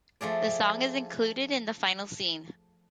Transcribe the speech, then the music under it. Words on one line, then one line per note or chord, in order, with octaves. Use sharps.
The song is included in the final scene.
F3 A3 G#4 D5